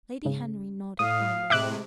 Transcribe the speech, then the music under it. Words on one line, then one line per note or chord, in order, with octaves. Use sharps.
Lady Henry nodded grimly.
G#2 C#3
A2 F5 D#6
A2 C3 G#3 E5 D6 F#6